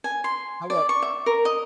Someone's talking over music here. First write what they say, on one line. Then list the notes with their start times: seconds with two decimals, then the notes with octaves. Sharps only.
How 'bout
0.04 G#5
0.24 C6
0.70 D5
0.89 C#6
1.02 E5
1.26 A#4
1.45 D#5